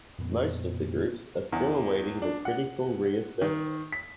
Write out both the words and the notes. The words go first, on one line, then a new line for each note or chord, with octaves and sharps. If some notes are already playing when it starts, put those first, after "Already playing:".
Most of the groups are still awaiting the critical re-assessment.
F2 A#2 B3
E2
D4
F#5
D#3
B6